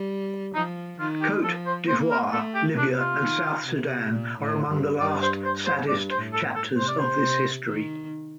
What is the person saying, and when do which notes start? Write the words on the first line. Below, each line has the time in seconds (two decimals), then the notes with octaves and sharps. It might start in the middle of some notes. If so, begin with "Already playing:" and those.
Côte d'Ivoire, Libya and South Sudan are among the last saddest chapters of this history.
Already playing: G3
0.55 F3 D#4
0.99 D#3 F4
1.21 G4
1.44 F3 A4
1.66 C5
1.88 A#3 C5
2.11 A#4
2.32 A3 A4
2.54 G4
2.77 C3 D4
2.99 F4
3.21 D#3
3.66 C3
4.10 A#2
4.40 A2
4.69 G2
4.99 G2 D5
5.22 C5
5.44 C5
5.66 C5
5.88 G2 D5
6.10 C5
6.18 A2
6.33 A4
6.55 A4
6.77 C3 C5
6.88 D5
6.99 C5
7.22 C3
7.66 D#3